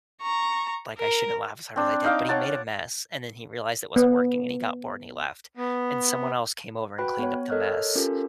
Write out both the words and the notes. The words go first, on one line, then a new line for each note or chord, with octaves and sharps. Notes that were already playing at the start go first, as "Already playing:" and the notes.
like, I shouldn't laugh as hard as I did, but he made a mess. And then he realized it wasn't working, and he got bored, he left. And someone else came over and cleaned up the mess,
A#5 C#6
A#4
C4 D4
D#4 F5 D6
C#5 F#5 A5 D6
B3
B3
F#4 B4 G5 B5 F#6
B3 C#5
A4 A#4 C#5 D#5 F6 F#6
C#4 F4 G4 A4 A#4